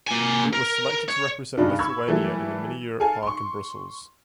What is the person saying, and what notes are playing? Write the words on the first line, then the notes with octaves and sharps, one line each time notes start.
It was selected to represent Lithuania in the Mini-Europe Park in Brussels.
A#3 G#5
A#4
C#5
G2 C#3 D4 D#4
B5 C#6 E6 G#6
E3 F#3 G3 A3 A#3
A4 F5 G#5
C6 C#6